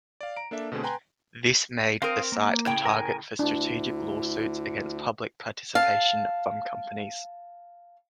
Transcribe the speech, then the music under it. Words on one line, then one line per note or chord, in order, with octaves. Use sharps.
This made the site a target for strategic lawsuits against public participation from companies.
D5 F5
A#5 D7
A#3 D4 A4 E5
B2 D3 A3 C4 G#4
B4 G5 G#5 A#5 C6
C4 A#4 F5 C6 D#6
A#3
A2 C#3 G5
A#4 G#5
D2 D4 E4
F5 A5